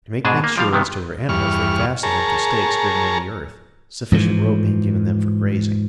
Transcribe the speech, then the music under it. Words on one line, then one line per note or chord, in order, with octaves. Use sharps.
To make things sure as to their animals, they fastened them to stakes driven in the earth, sufficient rope being given them for grazing.
G#2 B2 D4 G#4 A5
A#3
F3 G3 F5
C3 D#3 B3
E2 G2 C#6 F6
G#4 A#4 C#5 A5 A#5
G#2 E3 F3